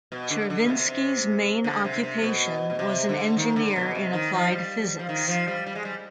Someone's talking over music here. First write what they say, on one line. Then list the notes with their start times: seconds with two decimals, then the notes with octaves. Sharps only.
Chervinsky’s main occupation was an engineer in applied physics.
0.12 B2
0.30 D3
0.50 D3
0.65 B2
0.69 C3
0.88 C3
1.64 D3
1.84 C3
2.03 C3
2.22 B2
2.70 B2
2.79 C3
3.09 D3
3.36 D#3
3.56 D3
3.76 B2
3.95 C3
4.13 D#3
4.33 F3
4.52 G3
4.99 F3
5.09 D#3
5.28 F3
5.48 G3
5.67 G3
5.75 G#3
5.85 G3